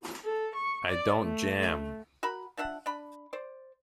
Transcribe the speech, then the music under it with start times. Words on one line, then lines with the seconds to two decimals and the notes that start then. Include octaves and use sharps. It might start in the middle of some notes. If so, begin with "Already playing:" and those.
I don't jam.
0.24 A4
0.55 C#6
0.88 D5
1.21 A3
1.58 A3
2.23 F#4 A#4 B5
2.57 F3 D4 E5 F#5
2.86 D4 B5
3.33 C5 D5